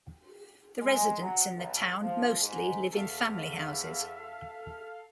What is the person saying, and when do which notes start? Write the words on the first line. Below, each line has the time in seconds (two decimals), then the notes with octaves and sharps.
The residents in the town mostly live in family houses.
0.81 G#3
1.21 F#3
1.56 B1
2.01 F3
2.39 G#2
2.93 E2 A4 E5 F5